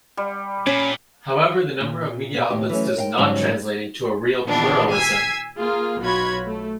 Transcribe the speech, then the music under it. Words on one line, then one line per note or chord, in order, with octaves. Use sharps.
However, the number of media outlets does not translate into a real pluralism.
G3
A#2 C#4
A#2
B2 B3
D#2 A2 G4
E3 F#3 A3 C#4
A#4 F5 G5
G#2 C#3 F#3 G3
A#2 D#3 E3 G3 B3 D4
G#5 E6 G#6 B6 C7
A#3 F4 G#4
B1 F4 F#4 C#5 B5 G#6
A3